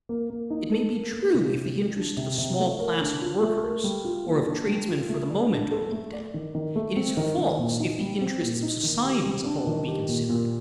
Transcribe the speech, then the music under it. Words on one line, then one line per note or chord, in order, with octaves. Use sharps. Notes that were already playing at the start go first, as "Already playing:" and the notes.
It may be true, if the interests of a small class of workers or of tradesmen for the moment are looked at; it is false, if the interests of society as a whole be considered.
A#3
A#3
D#4
A4
A#3
A#3
C3
C3
G3
D4
C3
C3
A3
A#4
D4
F4
A3
A#4
G3
F4
A#3
D4
G3
F4
A3
D5
D4
A4
A3
D5
D#3
D#3
A3
C4
D#3
D#3
A#2
D#4
G3
C4
A#2
D#4
D#3
G4
G3
D4
D#3
G4
A#2
A#2